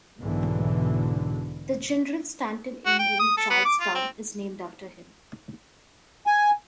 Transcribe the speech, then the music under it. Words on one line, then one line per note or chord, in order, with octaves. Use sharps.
The General Stanton Inn in Charlestown is named after him.
B1 G#2 B2 D3 E3
F#4
G5
D#6
A4
B3
D6
F4
C4
G#5